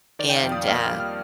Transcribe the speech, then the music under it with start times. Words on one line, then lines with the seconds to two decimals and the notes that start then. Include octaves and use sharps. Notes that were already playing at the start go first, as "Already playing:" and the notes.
and, uh,
0.19 D#3 D5
0.29 G5
0.36 F5
0.43 F2
0.52 D#6
0.68 A#3 F6
0.85 F6
0.92 G3
1.00 F6